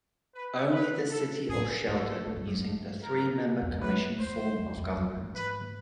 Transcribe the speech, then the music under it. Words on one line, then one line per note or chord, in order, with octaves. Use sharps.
Only the city of Shelton using the three-member commission form of government.
B4
B4
A4
A2 G#4
G#2 A4
G#2
G2
F#2
G2
A#4
E2
F2
F#2 B4
E2 C5
F2
F2
F#2
G#2
B4